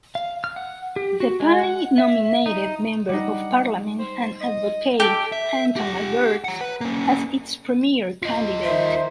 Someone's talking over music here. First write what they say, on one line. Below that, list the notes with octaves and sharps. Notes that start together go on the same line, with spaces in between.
The party nominated Member of Parliament and advocate Anton Alberts as its premier candidate.
F5
F6
F#5
G4
F#4
G#3
F#5
E5
D#4
G3 D#4 F#5
C5
D#5
G4 A4 D6
E5
G4 F#5
F#5 A#5
B4
A#3 C#4
F4 D#5
D#3 C5 E5